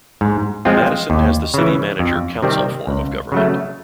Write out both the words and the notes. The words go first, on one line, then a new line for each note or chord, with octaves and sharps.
Madison has the city manager-council form of government.
G#2
F3 G#3 C4 F4
D#2
C#3 E3
F2
C3 D#3 G3 C4
C#2
C#3 F#3 A3